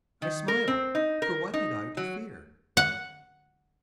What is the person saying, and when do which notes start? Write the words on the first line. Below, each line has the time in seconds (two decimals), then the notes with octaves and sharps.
I smiled,--for what had I to fear?
0.22 D#3
0.48 A#4
0.68 C4
0.95 D#4
1.22 A#4
1.54 D#4
1.97 F#3
2.77 F#5